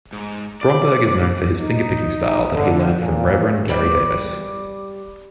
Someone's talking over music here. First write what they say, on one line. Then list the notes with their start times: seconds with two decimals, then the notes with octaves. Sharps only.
Bromberg is known for his fingerpicking style that he learned from Reverend Gary Davis.
0.13 G#2
0.61 D5
1.59 D#4
2.55 D3
3.00 A#2
3.68 G3 D5